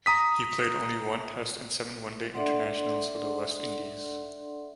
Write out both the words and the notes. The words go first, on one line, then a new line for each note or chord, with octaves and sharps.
He played only one Test and seven One Day Internationals for the West Indies.
A#5 D#6 B6
D4 A4 D5 E5 F#5 C6